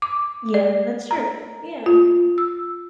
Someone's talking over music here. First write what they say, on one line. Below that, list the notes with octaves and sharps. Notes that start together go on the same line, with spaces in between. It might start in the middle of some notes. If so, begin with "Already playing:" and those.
Yeah, that's true, yeah.
D6
D5
A#5
F4
E6